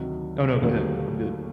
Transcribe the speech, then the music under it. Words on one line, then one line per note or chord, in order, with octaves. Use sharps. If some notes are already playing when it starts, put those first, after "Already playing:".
Oh, no, go ahead. I'm good.
Already playing: D2 C3 D#3 F#3
G#4
D#2 D3 F#3 A3 G4